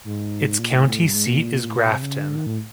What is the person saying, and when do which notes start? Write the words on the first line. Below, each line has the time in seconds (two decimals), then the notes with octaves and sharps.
Its county seat is Grafton.
0.04 G#2
0.59 A#2
0.71 A2
0.87 A2
1.03 G2
1.14 G#2
1.26 A#2
1.69 A2
1.78 A#2
1.85 B2
1.94 C3
2.02 C#3
2.19 D3
2.35 D#3
2.46 A2